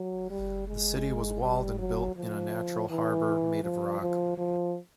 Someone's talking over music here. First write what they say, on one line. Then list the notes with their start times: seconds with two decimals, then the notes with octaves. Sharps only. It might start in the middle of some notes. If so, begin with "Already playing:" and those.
The city was walled and built in a natural harbour made of rock.
Already playing: F#3
0.31 G3
0.68 G#3
1.42 G3
1.79 F#3
2.16 F3
2.90 E3
3.64 F3
4.01 F3
4.38 F3